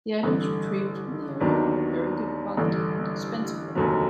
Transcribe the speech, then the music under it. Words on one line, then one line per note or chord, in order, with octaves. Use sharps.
The items retrieved from the area were of very good quality and expensive looking.
A1 G2 D3
D#2 D#3 F#3 B3 D4
A1 G2 D3
F1 D#2 D3 F#3